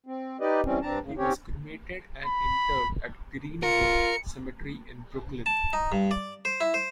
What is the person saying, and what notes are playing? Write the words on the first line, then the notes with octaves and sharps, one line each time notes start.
He was cremated and interred at Green-Wood Cemetery in Brooklyn.
C4
D#4 G4 B4 D5 D#5
E3 G3 C4 C#4
G2 C4 D4 A5 A#5
F#2 C#3
D#2 C4 C#4 G4 C#5
B5
F4 A#4 C#7
A5
D#4
G2
D5
C5
E4
C5